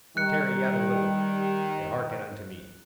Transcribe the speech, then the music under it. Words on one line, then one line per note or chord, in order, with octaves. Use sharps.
Tarry yet a little and hearken unto me.
D#3 G3 F#6 C#7